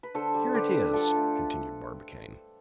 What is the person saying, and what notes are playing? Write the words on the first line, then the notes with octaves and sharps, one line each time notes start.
"Here it is," continued Barbicane.
B4
D3 A4 C5
G3
D3 G4 B4
G3
D3 F4 A4
F3 A3